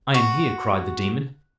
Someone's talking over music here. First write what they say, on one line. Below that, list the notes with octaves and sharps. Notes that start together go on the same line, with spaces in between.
"I am here!" cried the demon.
F#4